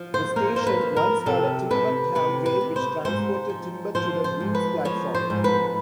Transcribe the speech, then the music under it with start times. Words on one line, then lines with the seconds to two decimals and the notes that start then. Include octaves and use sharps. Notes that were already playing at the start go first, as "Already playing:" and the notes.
The station once had a timber tramway which transported timber to the Goods Platform.
Already playing: F3
0.14 C5
0.36 A#3 A#4
0.56 C5
0.67 B4
0.81 F3
0.96 A#4
1.26 C3 A4
1.70 C3 B4
2.15 C3 B4
2.46 B4
2.61 C3
2.76 C5
3.05 G#2 C5
3.49 F3
3.95 F3 C5
4.24 C5
4.40 G#2
4.55 B4
4.85 F3 C#5
5.15 C5
5.30 G#2
5.44 B4